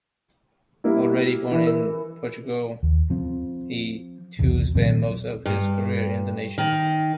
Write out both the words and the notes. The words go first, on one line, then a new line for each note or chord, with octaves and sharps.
Already born in Portugal, he too spent most of his career in the nation.
G3 A#3 E4
E3 E5
A#4
D#2
F3 C4
B1 E2 C3
A#2 D#3 F#3 C4
G2
D#3